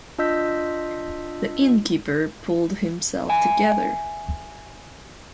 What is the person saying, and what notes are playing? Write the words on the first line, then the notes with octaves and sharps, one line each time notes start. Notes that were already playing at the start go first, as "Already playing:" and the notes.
The innkeeper pulled himself together.
D4 F4 D#5 E6 G6 B6
E5 G#5